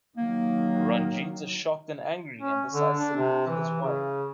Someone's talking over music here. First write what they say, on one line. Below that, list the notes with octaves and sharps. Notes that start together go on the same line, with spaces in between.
Ranjeet is shocked and angry, and decides to leave his wife.
D#3 F#3 A#3
C#4
D3
D4
C3
E3
C#3